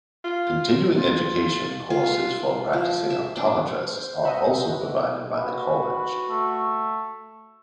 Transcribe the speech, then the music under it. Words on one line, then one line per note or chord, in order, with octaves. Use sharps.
Continuing education courses for practicing optometrists are also provided by the College.
F4
F4
F4
F3
E5
D4
C5
D#5 E5 F#5
B4
F#4 B4
A3